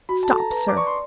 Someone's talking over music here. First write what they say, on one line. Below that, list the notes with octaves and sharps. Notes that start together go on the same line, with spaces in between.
Stop, sir!
F#4 B5
A5
A4
A#5
B4 A#5
D6
D5 C#6
C6